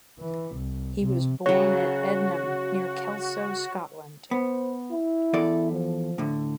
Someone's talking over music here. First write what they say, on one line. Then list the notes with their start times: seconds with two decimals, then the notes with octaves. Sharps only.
He was born at Ednam, near Kelso, Scotland.
0.20 E3
0.56 C2
1.03 C3
1.46 C#3 F#3 F#4 C#5
4.31 B3 C5
4.91 E4
5.33 E2 A4 D5
5.72 F3
6.18 A2 D3